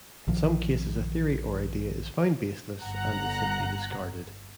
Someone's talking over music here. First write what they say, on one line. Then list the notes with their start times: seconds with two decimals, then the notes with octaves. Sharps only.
In some cases a theory or idea is found baseless and is simply discarded.
0.28 A#1 D#3 F3
2.81 G1 F#5 A#5 F#6